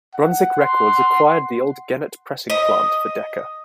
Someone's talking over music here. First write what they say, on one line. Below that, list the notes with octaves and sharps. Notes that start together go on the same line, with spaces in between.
Brunswick Records acquired the old Gennett pressing plant for Decca.
F#5
C6
D#5